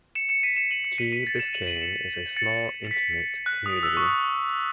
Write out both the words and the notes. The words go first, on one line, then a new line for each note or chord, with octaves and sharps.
Key Biscayne is a small, intimate community.
C#7 E7
C#7 E7
B6 D#7
C#7 E7
D#7 F#7
C#7 E7
B6 D#7
B6 D#7
A6
C#7 E7
D#7 F#7
D#7 F#7
C#7 E7
A6 C#7
B6
F#6
D#6
E6
C#6
D#6